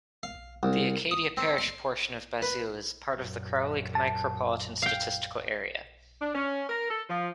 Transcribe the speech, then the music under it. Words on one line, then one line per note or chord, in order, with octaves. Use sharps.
The Acadia Parish portion of Basile is part of the Crowley Micropolitan Statistical Area.
F5
C2
D#6
C4
C6
B4
F#2 A#2
A5
F5 G5
D4
C#4
A#4
A4
F3